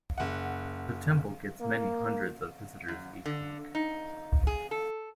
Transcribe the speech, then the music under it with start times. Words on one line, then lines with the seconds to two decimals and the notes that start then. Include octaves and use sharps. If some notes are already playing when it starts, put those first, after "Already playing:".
The temple gets many hundreds of visitors each week.
0.18 F#1 F#5
1.60 A#3
2.88 F#2
3.26 D3
3.75 D#4
4.47 G#4
4.71 A4